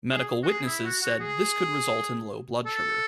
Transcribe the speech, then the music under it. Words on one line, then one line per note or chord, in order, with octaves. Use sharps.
Medical witnesses said this could result in low blood sugar.
G#4
F#4
G#4
E4
F#4
F#4
G#4
A4